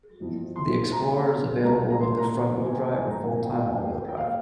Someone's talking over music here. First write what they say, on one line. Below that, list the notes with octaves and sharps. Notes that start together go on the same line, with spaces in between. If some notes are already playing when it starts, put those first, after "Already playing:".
The Explorer is available in either front-wheel drive or full-time all-wheel drive.
G1 F2 E3 G3
C6
A#5
C#2 C3 G3 A#3 A#5
A#5
C6
A#5
A#5
G#5
G5
G#5
G#1 G2 F3 A#5
G#5
G5
F5
G5
G5
F5